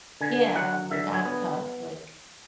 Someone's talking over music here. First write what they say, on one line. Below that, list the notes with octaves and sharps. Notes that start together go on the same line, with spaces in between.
yeah, like, "I'm tough," Like,
D3 G#5
F#3 F#5
D3 E5
G#5
B3